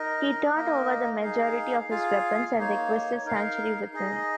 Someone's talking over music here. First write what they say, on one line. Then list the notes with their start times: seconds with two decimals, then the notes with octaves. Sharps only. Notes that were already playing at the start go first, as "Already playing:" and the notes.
He turned over the majority of his weapons, and requested sanctuary within.
Already playing: D#4 A#4 D#5
0.55 A#3 D#4 A#4 D#5
1.23 D#4 G#4 F5
1.90 F4 G#4 F5
2.57 A#3 D#4 C#5
3.26 D#4 A#4 F5
3.93 D#4 G#4 D#5